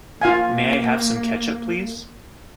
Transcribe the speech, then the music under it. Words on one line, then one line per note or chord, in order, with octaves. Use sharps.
May I have some ketchup, "please"?
A#3 F4 F5 G#5